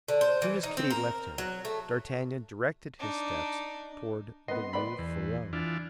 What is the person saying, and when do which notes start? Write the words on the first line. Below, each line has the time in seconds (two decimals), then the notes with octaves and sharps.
Soon as Kitty left him, d'Artagnan directed his steps toward the Rue Ferou.
0.08 D3
0.21 C5
0.42 E3
0.63 D#4
0.77 C4
0.90 A#4
1.38 F#3
1.65 A3
3.00 D4 D#4
4.48 B3 B4 D#5 C6
4.73 B4 D5 B5
4.99 E2
5.53 E3 D4 F4